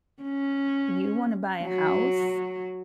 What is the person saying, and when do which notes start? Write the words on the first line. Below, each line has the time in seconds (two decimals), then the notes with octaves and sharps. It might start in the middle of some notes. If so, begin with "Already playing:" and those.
you wanna buy a house,
0.23 C#4
1.63 F#3